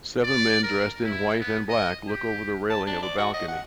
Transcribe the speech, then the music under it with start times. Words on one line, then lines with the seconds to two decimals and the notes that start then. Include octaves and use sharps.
Seven men dressed in white and black look over the railing of a balcony.
0.23 D5
0.63 A#4
1.04 E4
1.40 B3
1.69 D#5
2.08 G4
2.70 A5
2.87 D4
3.03 D5
3.17 F#4
3.34 D#5
3.48 F#5